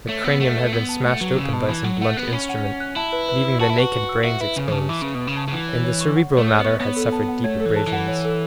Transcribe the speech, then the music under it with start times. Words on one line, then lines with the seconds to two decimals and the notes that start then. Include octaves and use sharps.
The cranium had been smashed open by some blunt instrument, leaving the naked brains exposed, and the cerebral matter had suffered deep abrasions.
0.09 A3 C#5
0.24 B3 E6
0.40 A3 F#5
0.57 B4
0.73 B3 E6
0.89 A5
1.05 A3 F#5
1.21 F#3 B4
1.37 C#3 E6
1.53 B2 A5
1.69 E3 B5
1.84 F#3 F#5
2.01 A3 F#5
2.17 B3 F#6
2.33 C#4 B5
2.49 F#5
2.65 F#5
2.80 F#6
2.96 E4 A5
3.13 B4
3.29 B4
3.45 E6
3.60 F#4 A5
3.70 E4
3.76 F#4 B4
3.92 B4
4.09 E6
4.24 F#4 E5
4.41 E4 B4
4.57 C#3 B4
4.68 E3
4.72 C#3 A5
4.89 E3 E5
5.02 C#3 B4
5.15 B2
5.21 B4
5.27 C#3
5.36 A5
5.48 C#3
5.52 E3 F#5
5.68 C#5
5.84 C#5
6.01 C#6
6.16 F#5
6.32 C#5
6.38 A3
6.48 C#5
6.59 B3
6.64 C#6
6.80 B3 C#5
6.96 A4
7.12 A5
7.28 F#5
7.44 A3 C#5
7.60 A4
7.66 E3
7.76 A5
7.87 E3
7.93 F#5
8.08 C#5
8.25 A4